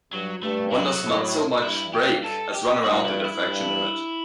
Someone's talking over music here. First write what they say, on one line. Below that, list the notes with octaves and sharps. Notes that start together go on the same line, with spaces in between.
One does not so much "break" as "run around" the diffraction limit.
G2 F#3
G2 A3
F#3
A2
G2 E4
G4
A4
G4
G2 F#4
E4
E4
G2